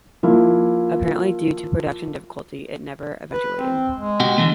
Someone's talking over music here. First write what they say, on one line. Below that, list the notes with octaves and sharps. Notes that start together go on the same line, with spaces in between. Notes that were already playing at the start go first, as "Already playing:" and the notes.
Apparently due to production difficulties, it never eventuated.
F3 A#3 E4
B4
C4
G#3
B2 F#4 G4
D3 E3 A3